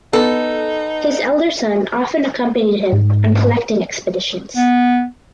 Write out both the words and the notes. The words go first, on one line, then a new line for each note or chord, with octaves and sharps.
His elder son often accompanied him on collecting expeditions.
B3 D#4 A4
G#2
B3